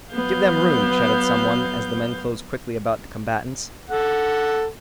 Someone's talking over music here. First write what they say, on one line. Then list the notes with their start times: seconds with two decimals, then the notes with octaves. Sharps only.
"Give them room," shouted some one, as the men closed quickly about the combatants.
0.13 F#3 B3 F5 G6
3.90 A4 F#5